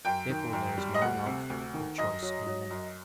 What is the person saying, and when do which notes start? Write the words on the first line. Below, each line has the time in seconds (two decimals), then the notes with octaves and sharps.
Therefore there is no love of choice in them.
0.05 F#2 G5
0.29 D#3
0.53 F#2
0.77 G3
0.94 D#5
1.01 D2 F#5
1.26 C3
1.50 D2
1.74 D#3
1.98 F#2 D#5
2.22 F#3
2.46 F#3
2.70 F#2